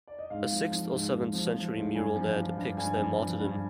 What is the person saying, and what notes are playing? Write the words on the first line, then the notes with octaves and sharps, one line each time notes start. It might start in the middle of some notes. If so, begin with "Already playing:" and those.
A sixth or seventh-century mural there depicts their martyrdom.
D5
D#5
G#2 F5
F3
F3
G#2
G#2
F3
F3
G#2
G2 G#5
F3
F3
G2
G2 G#5
F3
F3
G2